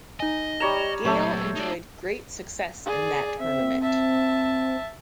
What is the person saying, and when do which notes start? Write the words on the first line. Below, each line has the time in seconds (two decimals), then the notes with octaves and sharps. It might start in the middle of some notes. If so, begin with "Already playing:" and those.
Gayle enjoyed great success in that tournament.
0.20 D#4 D#5 G#5
0.60 G3 C#5 A#5 E7 F7
1.05 A#2 F#3 A3 G4 A4 C5 C#5 E5
1.56 D#4 D5
2.86 G#4 D5
3.39 C4 E5
3.82 E5 A5